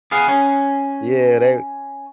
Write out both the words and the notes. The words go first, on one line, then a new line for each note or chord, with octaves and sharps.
Yeah, they,
B3 G#4 F5
C#4